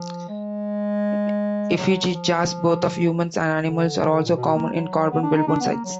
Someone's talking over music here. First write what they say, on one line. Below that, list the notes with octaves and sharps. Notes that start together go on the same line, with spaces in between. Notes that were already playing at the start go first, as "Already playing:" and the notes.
Effigy jars, both of humans and animals, are also common in Caborn-Welborn sites.
Already playing: F3
G#3
F#3
F3
D3
F3
D3
A#2
B2
A#3
F#3
B3
D4
D#4
D4
B3
A#3
F#3